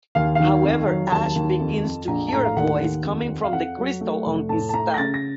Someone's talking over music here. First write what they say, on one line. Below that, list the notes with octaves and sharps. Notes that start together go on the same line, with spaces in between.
However, Ash begins to hear a voice coming from the crystal on his staff.
D#2 F5
D#3 F5
F2
F#3
D#2 A5
D#2
F2
F2
A#1 A#5
A5
A2 A#5
F5
D#2 F#5
D#2
F2
C4
F5
F2 F#5
F#3
A3
F1
A2 A5
A5
A3 A#5
A#6
C#3 A6
A#6